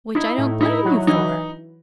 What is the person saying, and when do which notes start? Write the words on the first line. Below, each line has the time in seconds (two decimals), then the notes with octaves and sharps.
'Which I don't blame you for.
0.15 D#4 E4
0.38 A2
0.61 D#4 E4
0.85 F#3
1.07 E3 D#4